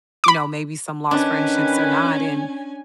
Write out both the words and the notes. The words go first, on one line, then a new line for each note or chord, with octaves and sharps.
you know, maybe some lost friendships or not." And,
B5 D6
D#3 C#4 D4 B4 G#5